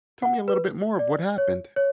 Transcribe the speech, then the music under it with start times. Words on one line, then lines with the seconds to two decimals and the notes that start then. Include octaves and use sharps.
tell me a little bit more of what happened.
0.22 F#5
0.48 B4
0.99 D5
1.38 C#5
1.76 C#5